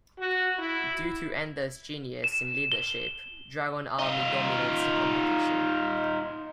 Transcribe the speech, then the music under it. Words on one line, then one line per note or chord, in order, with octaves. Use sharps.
Due to Ender's genius in leadership, Dragon Army dominates the competition.
F#4
E4
E7
G7
D#4 F4